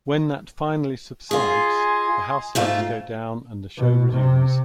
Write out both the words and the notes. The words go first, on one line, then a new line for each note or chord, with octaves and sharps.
When that finally subsides, the house lights go down and the show resumes.
F4 G#4 D#5 G#5 C6
G#2 A3 F4
B2
C3